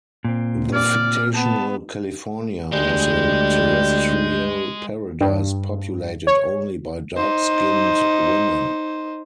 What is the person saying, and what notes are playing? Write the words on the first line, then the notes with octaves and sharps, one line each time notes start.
The fictional California was a terrestrial paradise populated only by dark-skinned women.
A#2 C4
D5 F6
B3 A5
D2 G3 G#3 C6 G6
G2
C#5
D#4 C5